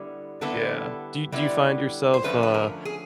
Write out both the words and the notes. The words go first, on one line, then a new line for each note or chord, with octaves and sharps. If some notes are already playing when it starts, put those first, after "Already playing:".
Yeah, do do you find yourself, uh,
Already playing: D3 G3 B3 E4
D3 G3 B3 E4 A4
D3 G3 B3 E4
C5
D3 F3 A3 C#4 B4
B4
A#4
G#4